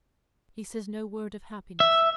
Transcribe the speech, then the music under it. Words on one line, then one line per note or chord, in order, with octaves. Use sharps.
He says no word of happiness.
E5